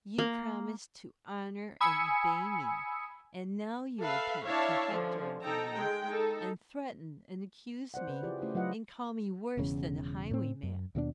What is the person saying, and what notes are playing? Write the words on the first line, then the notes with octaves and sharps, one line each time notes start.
'You promised to honour and obey me, and now you attempt to hector over me, and threaten and accuse me, and call me worse than a highwayman.
A#3
G#5 B5 D#6 E6 C#7
A4 B4 E5 F5
D4 E4 C#5 E5 F5 A5
D3 F3 C#4
D#4 A4 G5 A#5
G#3 G5
D#4 A4
C4 C5 D5 F#5
C#3 B4
E4 F4 G4 G#4 D5
A3 C#4 E4 G4 C5
F#3 F4 B4 D#5 F#5
E1 E2 C#3 C#4
A2 C4
F#2
D#2 B2 G3 D4